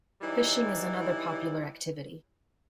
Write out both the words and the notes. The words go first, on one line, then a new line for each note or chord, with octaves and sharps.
Fishing is another popular activity.
E3 F#3 G3 D#4 E4